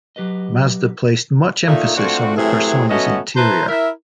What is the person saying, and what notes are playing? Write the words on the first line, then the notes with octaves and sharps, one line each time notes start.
Mazda placed much emphasis on the Persona's interior.
F#3 G4 B4 D#5
A#2 A3 D#4
A3 C4 D4 F4 F#4
A2 C3 E3 F#3 C4 G#4
F#3 A3 B3 C#4 F#4 D#5
E4 B4 C5 A5 A#5
E4 A#4 E5